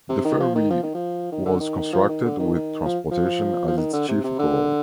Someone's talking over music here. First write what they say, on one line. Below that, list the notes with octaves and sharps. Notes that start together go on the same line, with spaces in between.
The ferry was constructed with transportation as its chief goal.
C3
D#3
F3
D#3
F3
D#3
F3
D#3
D3
D#3
F3
D#3
D3
D#3
D#3
F3
F3
F3
D#3
D3
C3
C3
D3